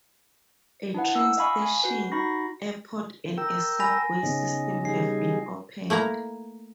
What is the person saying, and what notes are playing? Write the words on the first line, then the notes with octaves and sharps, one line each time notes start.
A train station, airport and a subway system have been opened.
D4 E4 B4 F#5
E6
D#5 F5 G#5 B5 C#6
G#5
F#4 B4
D#4 F#4 B5 C#6 A#6
A#4 G5 E6
G#5 B5 A#6 F7
C#3 B3 D#4
G3 D#4 G#4 C7
A3 A#3 E4 A#5